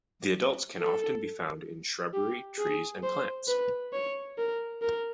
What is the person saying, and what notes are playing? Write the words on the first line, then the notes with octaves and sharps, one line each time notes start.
The adults can often be found in shrubbery, trees, and plants.
A4
G4
G#4
C5
B4
C#5
A#4
A#4